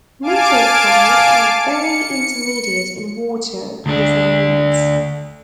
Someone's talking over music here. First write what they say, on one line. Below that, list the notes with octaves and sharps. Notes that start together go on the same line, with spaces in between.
Mesophytes are very intermediate in water use and needs.
F5 G#5 A5 D6 D7
C#7
D2 D4